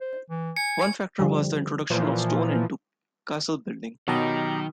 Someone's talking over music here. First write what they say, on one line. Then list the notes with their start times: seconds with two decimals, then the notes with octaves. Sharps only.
One factor was the introduction of stone into castle building.
0.01 C5
0.30 E3
0.57 G#5 C#7
1.19 D3 F3 G3
1.90 A#2 E3 F3
4.08 B2 D#3 F#3 G4 D#5 A#5